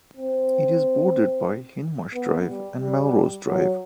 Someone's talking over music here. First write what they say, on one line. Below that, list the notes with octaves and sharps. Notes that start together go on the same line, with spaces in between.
It is bordered by Hindmarsh Drive and Melrose Drive.
C4
B3
G3
G3
F#3